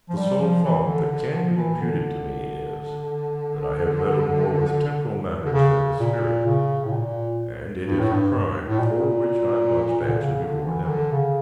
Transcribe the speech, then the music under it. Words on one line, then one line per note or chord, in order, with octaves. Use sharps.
The sole fault that can be imputed to me is, that I have meddled more with temporal matters than with spiritual, and it is a crime for which I must answer before Heaven.
F3
G3
F3
E3
D3
D3
F3
E3
D3
D3
C#3
A#2
C#3
A2
A#2
G2
A2
G2
A2
A#2
D3
C#3
D3
E3
E3
D3
C#3